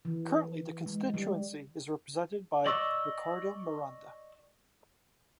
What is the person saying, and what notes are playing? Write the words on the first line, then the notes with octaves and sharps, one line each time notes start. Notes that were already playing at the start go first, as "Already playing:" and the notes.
Currently, the constituency is represented by Ricardo Miranda.
E3
G#3
G3
D5 D#5 C#6 D6 E6